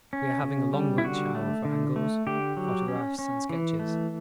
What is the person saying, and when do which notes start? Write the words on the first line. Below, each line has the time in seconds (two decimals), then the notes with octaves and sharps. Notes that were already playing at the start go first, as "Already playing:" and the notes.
We are having a long lunch hour for angles, photographs, and sketches.
0.13 C#4
0.43 C#3
0.73 G3
0.98 E4
1.04 D3 F#4
1.35 A3
1.65 D3
1.96 A3
2.27 D3 G4
2.57 F#3
2.88 C#4
3.19 C#4
3.49 E3
3.79 A3